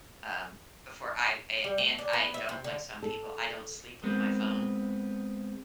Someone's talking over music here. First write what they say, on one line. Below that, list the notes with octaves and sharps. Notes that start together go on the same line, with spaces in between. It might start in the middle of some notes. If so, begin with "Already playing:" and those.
um, before I a and I don't like, some people, I don't sleep with my phone,
G3
A3
D4
B3
E5
C3
D3
A4
G#3 B3 C4